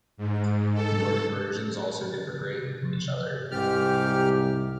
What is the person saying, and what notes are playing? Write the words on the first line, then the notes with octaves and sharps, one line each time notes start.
The Nordic versions also differ greatly from each other.
G#2
A4
C2 G#2 G4 F6